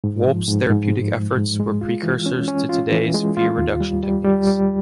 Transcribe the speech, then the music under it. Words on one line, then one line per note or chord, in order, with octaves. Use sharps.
Wolpe's therapeutic efforts were precursors to today's fear reduction techniques.
G#2
F3
G#2
G#2
G#3
G#2
G#2
G#3
F4
E3
C#4
C#4
F4
E3
G#3
F4
D#2
G3
G3
G3
G3